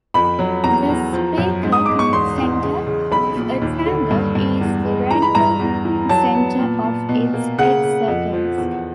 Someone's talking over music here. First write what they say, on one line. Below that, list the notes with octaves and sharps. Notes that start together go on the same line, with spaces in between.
The Spieker center of a triangle is the radical center of its excircles.
F2 B5
F#3
E2 A#5
E2
F3
F#2
G#2
D#6
G#2 D6
C#6
E1 C6
E2
C#3
C#3
B1 B5
A#2
D#2
D3
G2
G2
E2
G#3
E3 A#5
B5
G2 A#5
E2
E3
F#3 A5
B3
A#2
A#2
B2
A#3
C#3 F#5
C#3
F2
F3
E2